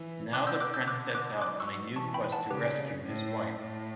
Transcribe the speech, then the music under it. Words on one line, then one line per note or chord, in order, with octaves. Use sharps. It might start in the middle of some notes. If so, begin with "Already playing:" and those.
Now the prince sets out on a new quest to rescue his wife.
Already playing: E3
D3 D6 F#6
E6 G6
D6 F#6
E6 G6
D3 D6 F#6
D6 F#6
F#3 D6 F#6
C#6 E6
E3 A5 C#6
G5 B5
F#5 A5
C#3 G4 B4
A2
A2